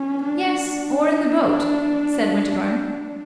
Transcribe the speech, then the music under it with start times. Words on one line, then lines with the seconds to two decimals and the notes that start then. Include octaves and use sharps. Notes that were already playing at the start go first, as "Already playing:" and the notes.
"Yes, or in the boat," said Winterbourne.
Already playing: C#4
0.23 D4